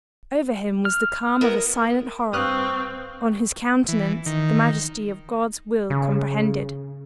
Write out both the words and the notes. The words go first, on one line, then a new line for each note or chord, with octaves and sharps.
Over him was the calm of a silent horror: on his countenance the majesty of God's will comprehended.
F6
B3 E4 A#4
G2 C4 B4 F5 C#6 D#6 F6 F#6
E3
D#3
C#3